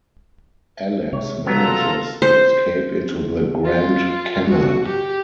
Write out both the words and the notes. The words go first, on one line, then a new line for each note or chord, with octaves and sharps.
Alex manages to escape into the Grand Canal.
C3 G#3 C#5
C#3 F#3 B3 F4 A4 A#5
C5
F4
F#4
G4